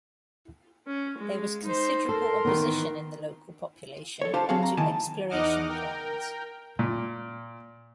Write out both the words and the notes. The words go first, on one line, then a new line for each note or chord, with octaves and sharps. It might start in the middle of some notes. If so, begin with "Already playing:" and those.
There was considerable opposition in the local population to exploration plans.
C#4
G#3
D#4 C5
A4 A#4 C6
D#3 E3 B3
A4 C#5
D4 F4 G4 C5 F5 A5
F#3 C4 F#4 G#4 F5
A#5
D#3 A#3 E4 G#5 A5
E2 D#4 D#5 F#5 D6 F6
A#4 G5
A#2